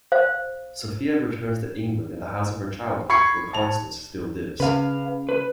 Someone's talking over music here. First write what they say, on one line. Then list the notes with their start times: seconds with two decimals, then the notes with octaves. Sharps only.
Sophia returns to England and the house of her childhood, where Constance still lives.
0.12 C5 F5
3.10 B5 C#6 G#6 C7 C#7
3.53 A5 F7
4.60 C#3 B4 F5
5.29 B4